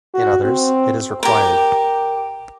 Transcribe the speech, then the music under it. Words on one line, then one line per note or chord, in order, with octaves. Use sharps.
In others it is required.
F#4
C4
G4 A#4